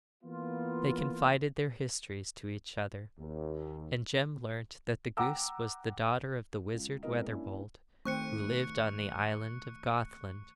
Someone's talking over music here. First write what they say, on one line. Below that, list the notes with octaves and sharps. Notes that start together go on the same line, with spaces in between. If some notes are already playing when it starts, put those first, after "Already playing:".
They confided their histories to each other, and Jem learnt that the goose was the daughter of the wizard Weatherbold, who lived on the island of Gothland.
E3 A#3 B3 F4
D#2
F#5 G5 A#5 D6 E6
C#2
G#3 B3 C4 E4 A#4 D#5
A#3 C#4 D4 E4
D#3 A3 C4 C#6 F#6 C#7